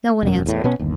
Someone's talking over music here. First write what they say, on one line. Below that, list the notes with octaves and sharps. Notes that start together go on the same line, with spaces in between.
No one answered.
E1 F#2
E2 A2
B2 B3 C#4
G1 D#2